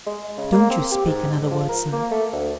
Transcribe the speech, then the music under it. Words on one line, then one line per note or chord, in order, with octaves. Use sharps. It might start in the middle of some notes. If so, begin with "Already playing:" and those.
Don't you speak another word, Sir.'
G#3
C#3
A#3
C4
G4
G#2
F3
A#4
A#3
A3
D2